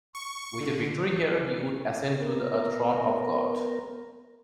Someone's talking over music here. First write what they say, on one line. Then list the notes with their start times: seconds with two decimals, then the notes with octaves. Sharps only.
With a victory here, he would ascend to the throne of God.
0.15 C#6
0.61 D3
2.20 B3 A#4